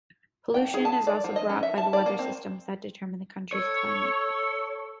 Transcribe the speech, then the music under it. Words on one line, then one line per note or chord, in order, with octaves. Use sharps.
Pollution is also brought by the weather systems that determine the country's climate.
G5
G#4
A5
D5
F3
D#5
C#4
E5
A5
D5
A#3
C4
A4 C#5